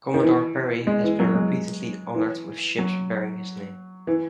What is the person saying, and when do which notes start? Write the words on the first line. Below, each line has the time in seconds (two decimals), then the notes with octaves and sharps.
Commodore Perry has been repeatedly honored with ships bearing his name.
0.14 D#3
0.23 E3
0.87 G#3
1.03 E3
1.19 F#3
1.35 G#3
2.15 E3
2.79 F#3
4.07 E3